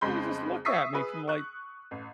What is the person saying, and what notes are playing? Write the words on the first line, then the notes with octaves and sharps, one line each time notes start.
Yeah, he just looked at me from, like,
F2 C#3 G#3 B5 C6 G6
E5 C#6 D#6 E6 B6 C7
G#4 B4
C#6 F#6
A1